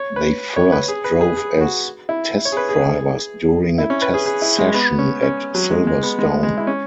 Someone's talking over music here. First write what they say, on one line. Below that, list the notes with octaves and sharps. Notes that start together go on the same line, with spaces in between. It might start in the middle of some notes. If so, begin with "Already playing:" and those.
They first drove as test drivers during a test session at Silverstone.
Already playing: C#5
B4
C#5
B4
G#4
B4
G#4
G#4
F#4
E4
C#5
G#4
B4
G#4
E4
C#4
B4
G#4
G#4
E4
G#3
B3
C#4
C#4
F#3
G#3
G#3
B3
G#3
G#3
E4
C#4